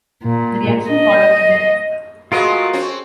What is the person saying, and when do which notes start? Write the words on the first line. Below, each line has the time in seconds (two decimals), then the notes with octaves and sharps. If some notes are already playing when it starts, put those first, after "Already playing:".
The reaction product is an ester.
0.24 A#2
0.90 D#5
2.32 G#3 A3 B3 F4 F#4 A#4 D#5
2.73 C4 C#4